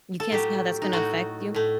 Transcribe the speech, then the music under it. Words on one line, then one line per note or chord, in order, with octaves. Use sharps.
you can't see how that's gonna affect you?
A4
A2 F#3 A3 G4
D#4
A2 A3 F#4
A2 A3